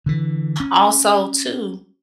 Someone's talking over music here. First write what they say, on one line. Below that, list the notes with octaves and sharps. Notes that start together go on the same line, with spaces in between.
also too
D3 E3
C#4